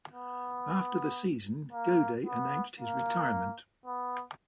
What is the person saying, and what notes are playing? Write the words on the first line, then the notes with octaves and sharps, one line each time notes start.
After the season Gaudet announced his retirement.
B3
A#3
B3
A#3
B3